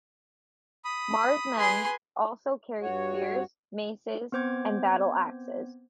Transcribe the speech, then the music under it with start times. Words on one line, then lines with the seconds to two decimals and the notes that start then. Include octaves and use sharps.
Mar's men also carried spears, maces and battle axes.
0.85 B5 D#6
1.58 G#4 B4 G#5 C6
2.81 G2 F#4 C#5
4.32 B3 C4 C5 D6 G#6